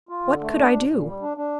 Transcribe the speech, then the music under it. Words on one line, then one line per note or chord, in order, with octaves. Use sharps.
What could I do?
F4
D3
A3
D4
A#2
A#2
G3
D4
D4